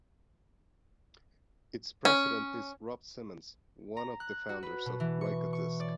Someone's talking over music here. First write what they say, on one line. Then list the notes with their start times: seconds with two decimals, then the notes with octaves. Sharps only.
Its president is Rob Simonds, one of the founders of Rykodisc.
2.05 C#4
3.97 A#5
4.20 F#6
4.49 F#4
4.63 B4
4.86 B2
5.00 E3
5.21 C#6
5.53 C#6
5.80 D5